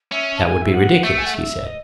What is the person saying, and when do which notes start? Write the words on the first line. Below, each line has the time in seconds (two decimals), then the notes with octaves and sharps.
That would be ridiculous, he said.
0.11 C#4 E5
0.36 A5
0.42 G#5
0.61 E5
0.73 F#5
1.03 A3 E5
1.17 G#5
1.25 F#5
1.34 E5
1.65 D#5